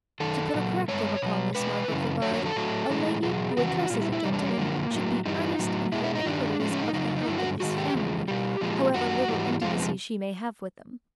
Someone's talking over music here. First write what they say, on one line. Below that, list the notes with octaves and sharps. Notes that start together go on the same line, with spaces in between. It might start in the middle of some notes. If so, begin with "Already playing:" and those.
To put a corrective upon this mark of regard, a lady who addresses a gentleman, should be earnest in her inquiries of the health of his family, however little intimacy she may have with them.
F#2 D#3 A4
A#2 F#3
G2 E3 G#3 C#5
B2 F#3
B2 G#3 B4
F#2 C#3 E3
F2 D3 F#3 C#5
C#5
A4
A2 F#3
A2 E3 G#3
E2 B2 F#3 G#4
F2 C#3 E3 F#4
A#2 G3 F4
E4
E4
E2 C3 G3 D#4
D4
C#4
A#3
F#2 D3 F3
A2 F#3
G2 E3 G3 D#4
A2 F#3
B2 G#3 E4
E4
D#4
G2 D#3 G3 D4
A2 F3 G#3 C#4
C#4
D#4
F2 C#3 F#3 D#4
D#4
G2 D3 F#3 E4
F#4
G#2 D#3 G#3 F#4
G4
E2 C#3 F3 G#3
B2 G3 G4
A#2 F3 G#3
F#2 D#3 G3 F#4
G#2 E3 G3
F2 C3 F3 G#3 F4
B3